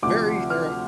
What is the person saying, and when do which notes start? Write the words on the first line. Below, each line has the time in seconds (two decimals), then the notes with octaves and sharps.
very they're a
0.03 D2 C3 F3 D6
0.50 F6